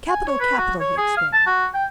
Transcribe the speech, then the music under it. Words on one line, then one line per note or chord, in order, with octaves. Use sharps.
"Capital! capital!" he exclaimed.
G#5
C#5
B4
F#4
C#5
G#4
F5
A5
F#4
G5